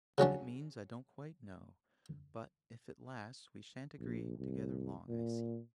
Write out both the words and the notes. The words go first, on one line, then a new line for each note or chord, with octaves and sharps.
'What it means I don't quite know; but, if it lasts, we shan't agree together long I see.
C#3 F#3 C#4 D4
A#1
C2
A#2